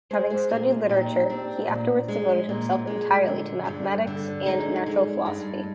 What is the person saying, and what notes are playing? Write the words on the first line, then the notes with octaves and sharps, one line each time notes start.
Having studied literature, he afterwards devoted himself entirely to mathematics and natural philosophy.
G#3 G#4 C5
G#4 C5
A#2 F4 G#4
A#2 D#4 G4
C4 D4
A#2
G#3
A#2
G#3
D3
G2
D3
G#3 D#4
G#3
G2